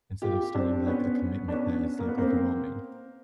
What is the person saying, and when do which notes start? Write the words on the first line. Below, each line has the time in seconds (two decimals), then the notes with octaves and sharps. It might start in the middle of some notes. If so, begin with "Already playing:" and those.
instead of starting, like, a commitment that is, like, overwhelming.
0.22 F4 G4
0.55 C4 D4
0.86 B3 C#4
1.48 D4
1.52 B3 C#4
1.99 A#3
2.08 B3
2.18 A#3 C4